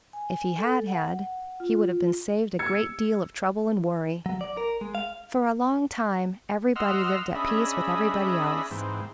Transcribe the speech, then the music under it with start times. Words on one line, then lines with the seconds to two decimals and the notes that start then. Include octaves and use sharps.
If he had had, he would have been saved a great deal of trouble and worry. For a long time everybody lived at peace with everybody else.
0.13 G#5
0.58 A4
0.87 F#5
1.60 F4
2.59 E6 G#6 C#7
4.26 F#3
4.41 D5
4.57 A#4
4.81 G#3
4.95 F5
6.76 D#5 F#5 C6 E6 F6
7.35 C#4 D4 G#4 D#5 E5 B5
8.71 G#2 E3 C4